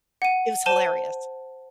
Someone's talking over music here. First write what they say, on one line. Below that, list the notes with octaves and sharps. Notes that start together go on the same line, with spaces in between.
It was hilarious.
F#5 D#7
C5 A5 D#7 G7